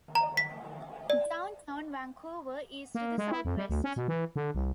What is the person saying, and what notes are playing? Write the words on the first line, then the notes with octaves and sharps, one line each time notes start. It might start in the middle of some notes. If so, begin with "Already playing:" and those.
Downtown Vancouver is to the southwest.
A#5
B6
D5
A#3
G#3
E4
F2
G3
D2
C#4
B2
E3
D3
C2